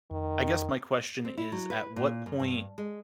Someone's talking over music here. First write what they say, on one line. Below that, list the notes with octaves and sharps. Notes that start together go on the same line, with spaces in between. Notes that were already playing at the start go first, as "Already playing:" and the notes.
I guess my question is, at what point
F2 D#3
C4
E4
F#3
B4
A#2
F#2
G2
G#3